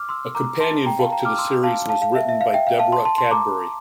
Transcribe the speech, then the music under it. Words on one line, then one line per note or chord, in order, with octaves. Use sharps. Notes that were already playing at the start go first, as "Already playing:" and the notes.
A companion book to the series was written by Deborah Cadbury.
Already playing: D6 F6
C6 E6
A#5 D6
A5 C6
G5 A#5
F5 A5
G5 A#5
D6 F6
C6 E6
F5 A5
F5 A5
F5
E5
E5
F5
E5 G5
F5
F5 A5
A5 C6
A5 C6
A5 C6
A#5 D6